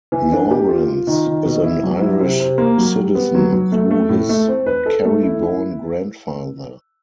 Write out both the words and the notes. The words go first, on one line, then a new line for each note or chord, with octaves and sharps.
Lawrence is an Irish citizen through his Kerry-born grandfather.
E3
D4
G4
F4
F4
D#3
D#3
B2
E4
F#3
E4
C3
C3
A#3
F#3
G3
B3
F#3
F#3
A3
A3
A2
A3
C4
B4
A4
A3
E4
E4